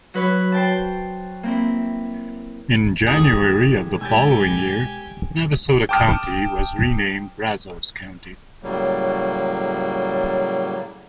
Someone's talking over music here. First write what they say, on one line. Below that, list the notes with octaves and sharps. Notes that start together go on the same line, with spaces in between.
In January of the following year Navasota County was renamed Brazos County.
F#3 B4 C#5
C5 G5 A5
A#3 C4 E4
D#2 E3 A3 G#4
B2 G#3 G4 G#5 E6 G6 A6
G5 A5 D6 D#6 F6
A2 C#3 F#3 G3 A#3